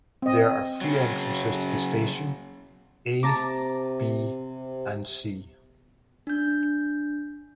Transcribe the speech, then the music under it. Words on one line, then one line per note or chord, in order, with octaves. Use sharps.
There are three entrances to the station: "A", "B", and "C".
C4 D#5
C#3 F#3
C3 A5 A#5 D6
D4 G6